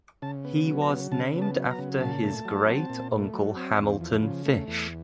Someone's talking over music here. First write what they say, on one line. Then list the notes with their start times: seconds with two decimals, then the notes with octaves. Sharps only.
He was named after his great uncle Hamilton Fish.
0.22 C#3 A5
0.45 B3
0.67 F#3
0.82 A#5
0.89 C#3
1.12 C#3 A5
1.34 B3
1.42 A5
1.56 F#3
1.71 A#5
1.79 C#3
2.01 A#2 A5
2.23 A3
2.45 F#3
2.67 C4
2.90 A#2
3.12 A3
3.34 F#3
3.56 C4
3.79 E2
4.01 F3
4.23 C#3
4.46 A3
4.68 E2